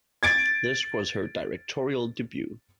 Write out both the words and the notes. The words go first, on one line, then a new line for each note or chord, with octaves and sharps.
This was her directorial debut.
G#6 A6 D7